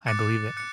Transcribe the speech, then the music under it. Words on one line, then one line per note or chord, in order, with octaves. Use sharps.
I believe it.
D6 F#6 A6 C#7
D6 F#6 C#7